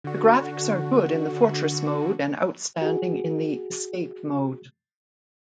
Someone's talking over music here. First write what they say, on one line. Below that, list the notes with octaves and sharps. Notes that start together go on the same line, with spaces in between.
The graphics are good in the "Fortress" mode and outstanding in the "Escape" mode.
D3 F#4
F#4 G#4